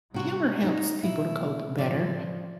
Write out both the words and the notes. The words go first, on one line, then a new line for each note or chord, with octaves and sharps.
humor helps people to cope better,
C3 G3 F#4
D#4
B2 E4
A2 E3 F3 D5